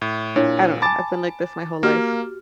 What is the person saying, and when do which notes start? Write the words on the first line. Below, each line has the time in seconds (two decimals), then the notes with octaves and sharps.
I don't know, I've been like this my whole life.
0.02 A2
0.36 A#2 D4 E4 C#5
0.82 G#5 A5 B5 D6 A6
1.83 A#3 F#4 G4 F6